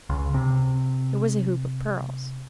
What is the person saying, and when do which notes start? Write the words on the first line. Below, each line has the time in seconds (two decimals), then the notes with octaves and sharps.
It was a hoop of pearls.
0.10 C#2
0.34 C3